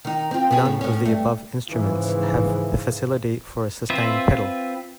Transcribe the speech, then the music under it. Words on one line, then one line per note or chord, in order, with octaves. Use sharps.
None of the above instruments have the facility for a sustain pedal.
D#3 D#4
C4 F4
B3 G#4
A2
A2 C#4
G2 A3
G#2 C#3 E3 F3
C4 F4 B4 E5